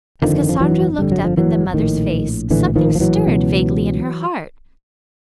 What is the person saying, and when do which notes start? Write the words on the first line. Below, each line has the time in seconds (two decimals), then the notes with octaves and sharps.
As Cassandra looked up in the mother's face, something stirred vaguely in her heart.
0.22 G1 F2 D3 D#3 F3
0.49 F3
0.60 E3 F#3
0.98 G1 F2 D3 G3
1.12 F#3
1.24 F3
1.37 E3 F#3
1.74 A#1 A2 D#3
2.50 A#1 A2 D3 E3
2.76 D#3 F3
2.95 F3
3.00 E3 F#3
3.26 C#2 B2